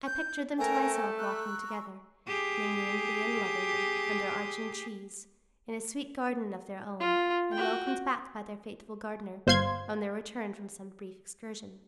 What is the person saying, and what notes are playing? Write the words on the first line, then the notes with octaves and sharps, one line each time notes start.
I pictured them to myself walking together, lingeringly and lovingly, under arching trees, in a sweet garden of their own, and welcomed back by their faithful gardener, on their return from some brief excursion.
G6
A3 A#4 C5 G5 G#5
A#5 C#6 E6 F#6
G4 G#4
F4
F#4 G5
G1 C5 F5 C6 G#6